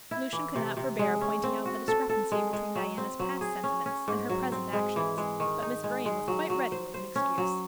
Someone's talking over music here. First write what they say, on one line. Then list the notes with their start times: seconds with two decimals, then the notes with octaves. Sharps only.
Lucian could not forbear pointing out the discrepancy between Diana's past sentiments and her present actions; but Miss Vrain was quite ready with an excuse.
0.11 E4
0.33 E3
0.56 C3
0.77 C3
0.99 G#3
1.21 C#4
1.44 C4
1.66 F#4
1.88 A4
2.09 A4
2.32 G#3
2.53 G#3
2.76 F#3
2.98 C4
3.20 F#3
3.41 G#4
3.64 C#4
3.86 C#4
4.08 G#2
4.29 F#3
4.52 C4
4.73 G#3
4.96 E3
5.18 G#3
5.40 D#3
5.62 D#4
5.84 G#3
6.06 G#3
6.28 F#3
6.50 F#3
6.72 C5
6.94 C5
7.16 C#4
7.38 F#3